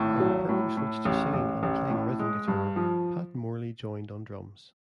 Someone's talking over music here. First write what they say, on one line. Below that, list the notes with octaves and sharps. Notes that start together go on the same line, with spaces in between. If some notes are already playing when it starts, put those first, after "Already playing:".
When Pirner switched to singing and playing rhythm guitar, Pat Morley joined on drums.
Already playing: G#1 A2
F#3
A2
A2
A1
A1
A1
A2
G#3
G2
F3